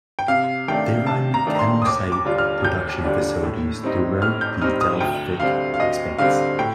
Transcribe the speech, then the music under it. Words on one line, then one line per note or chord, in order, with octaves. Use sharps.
They run kemocite-production facilities throughout the Delphic Expanse.
G5
C3 F5
D#3 A3 D4 G5
C3 A5
A#5
D#3 A3 D4
A#5
C6
D#6
D#2 D6
D6
D3 G3 D4 F4
F6
D#2 G6
D3 G3 D4 F4
A2
G3 C4 D#4
A2 F6
G6
G3 C4 D#4 F6
D#6
D2 G5
D3 G3 C4 F5
F5
D2 D#5
D3 G3 C4 F5
A2 G5